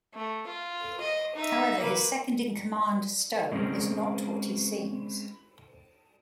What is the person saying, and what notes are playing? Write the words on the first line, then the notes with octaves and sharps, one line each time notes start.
However his second in command Stone is not what he seems.
A3
F4
D#5
D#4 E5
A#3 B4
F#3 G#3 C4 C#4 G#4 A#4